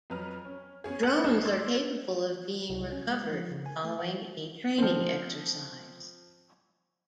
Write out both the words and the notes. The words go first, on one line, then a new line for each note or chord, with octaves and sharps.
Drones are capable of being recovered following a training exercise.
F2 F#3 B4 A#5 F6
C#4
B3 C#4 G#4
F6 F#6 A6 C#7 F#7
C2 A#3 G4 D#5 A5
C6 D6 E6 G#6 A6
C2
C#4
G#3
F3
C#3
G#5
A3
F#5
F3 C4